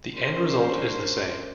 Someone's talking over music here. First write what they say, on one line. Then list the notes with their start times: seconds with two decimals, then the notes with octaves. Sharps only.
The end result is the same.
0.17 C#4 D4 A#4 C5